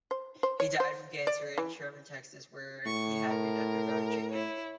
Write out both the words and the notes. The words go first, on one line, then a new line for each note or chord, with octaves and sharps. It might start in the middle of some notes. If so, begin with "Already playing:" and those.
He died from cancer in Sherman, Texas where he had been undergoing treatment.
C5
C5
C#5
C5
D5
E3
A2 C#6
A#4
E4 C#5